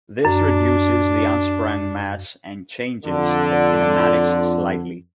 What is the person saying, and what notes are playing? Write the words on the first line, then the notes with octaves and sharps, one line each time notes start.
This reduces the unsprung mass and changes the kinematics slightly.
F#2 D4
F2 D3 F4 D5